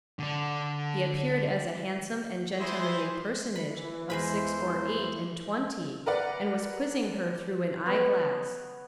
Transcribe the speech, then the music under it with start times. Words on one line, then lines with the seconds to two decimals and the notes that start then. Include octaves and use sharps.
He appeared as a handsome and gentlemanly personage of six or eight and twenty, and was quizzing her through an eye-glass.
0.19 D3 D4
2.60 E3 E4 G4 G#4 C5 C6
3.56 E3 B5
4.10 E2 G#3 C5 B5
6.06 A#4 B4 D5 F#5
7.86 B3 B4 C#5